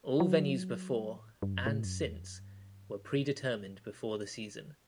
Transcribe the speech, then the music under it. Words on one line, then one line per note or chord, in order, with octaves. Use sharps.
All venues before, and since, were predetermined before the season.
F#3
G3
F#3
A2
G2
F#2
A2
F#2
E2
F#2
G2
A2
B2